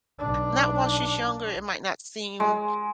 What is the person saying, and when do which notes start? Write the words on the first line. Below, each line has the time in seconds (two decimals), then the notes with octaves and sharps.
not while she's younger, it might not seem,
0.19 B1 D4
2.40 G#3